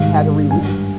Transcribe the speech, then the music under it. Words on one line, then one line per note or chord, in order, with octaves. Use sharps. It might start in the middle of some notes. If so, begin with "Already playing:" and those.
had to release
Already playing: G#2 D#3 G3 F5
G2 G3 G#5